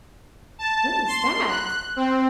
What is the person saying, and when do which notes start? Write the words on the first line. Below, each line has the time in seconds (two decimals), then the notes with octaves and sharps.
What is that?
0.59 A5
1.08 C6
1.48 F#6
1.96 C4